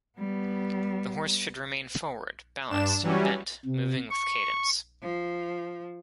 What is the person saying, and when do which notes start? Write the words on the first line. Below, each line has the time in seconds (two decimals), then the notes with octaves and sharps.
The horse should remain forward, balanced, and bent, moving with cadence.
0.19 G3 B3
2.70 G2 D4 E7
3.03 E3 F#3 G3 C#4
3.65 C3
4.10 C#6
5.02 F3